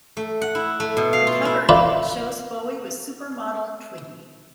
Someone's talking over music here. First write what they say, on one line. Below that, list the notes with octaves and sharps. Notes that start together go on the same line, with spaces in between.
The cover image shows Bowie with supermodel Twiggy.
A3
F#5
E4
A3
B2
F5
F4
E4
D4 F4 A4 E5 B5